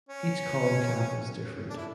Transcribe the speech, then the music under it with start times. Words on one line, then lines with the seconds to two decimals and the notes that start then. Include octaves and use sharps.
Each column cap is different.
0.09 C#4
1.70 D4
1.77 E4